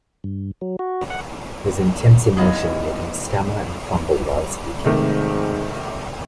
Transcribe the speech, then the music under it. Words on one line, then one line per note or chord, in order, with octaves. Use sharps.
His intense emotion made him stammer and fumble while speaking.
G2
F#3
F#4
F#5
E3 G#3 B3 D#4 F4 F#4
G#2 C3 D#3 A3